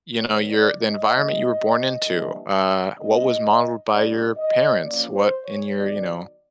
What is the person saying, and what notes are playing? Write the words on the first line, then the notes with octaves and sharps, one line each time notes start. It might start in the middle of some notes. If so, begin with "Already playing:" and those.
you know, your the environment you were born into, uh, what was modeled by your parents? What in your, you know,
D#3 G#3 B3 C#5
D5
D#5
C#3 E3 G3 A#3
E3 G3 A#3 D4
B2 G3 A#3 D4 D#5
B2 G3 A#3 D4 D5
D#5
F3 A#3 C#4 D5
C5
C#5
D#3 F#3 B3 D#4 D5